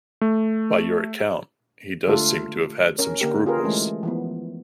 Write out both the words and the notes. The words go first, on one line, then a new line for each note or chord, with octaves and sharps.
By your account, he does seem to have had some scruples.
A3
D3 G#3 A3 F4 A4
C#4 A#4 C#5
D3 A#3 C#4 G4 A#4
C#4 F4 G4 G#4 A#4 B4
E3 G#3 A3 C#4
E3 F3 B3